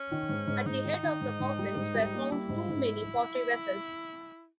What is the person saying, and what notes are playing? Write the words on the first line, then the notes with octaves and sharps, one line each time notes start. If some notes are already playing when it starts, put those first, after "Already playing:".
At the head of the coffins were found too many pottery vessels.
Already playing: C#4
D#3
G#2
G#2
G#2 D#4
D#3
D#3
G#2
G#2
G3
G#2
G3
A#3
G3 E4
G#2
G#2